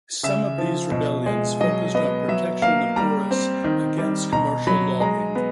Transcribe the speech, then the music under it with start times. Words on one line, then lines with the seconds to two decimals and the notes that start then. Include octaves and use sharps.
Some of these rebellions focused on protection of forests against commercial logging.
0.23 C#3 E5
0.58 F3
0.92 B2
1.26 G#3
1.61 F#3 D#5
1.95 B3 D#5
2.28 F#3 E5
2.62 A#3 F5
2.96 G3 A#5
3.31 C4
3.64 D#3
3.98 G3
4.32 B2 A#5
4.67 F#3 B5
5.00 G#3 A#5
5.35 B3